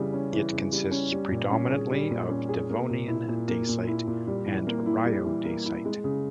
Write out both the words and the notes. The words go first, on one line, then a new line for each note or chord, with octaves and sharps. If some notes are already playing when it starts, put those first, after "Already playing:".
It consists predominantly of Devonian dacite and rhyodacite.
Already playing: C#3 E3 G3
C#4
E3
C#3
G3
C#4
G3
A#2
C#4
G#4
G3
A#2
C#4
G#4
A#3
A#2
E4
A#2
A#3
A#2
E4
A#2
G3
E3
A#3
E4
G3
E3
A#3
E4
G#3
C#3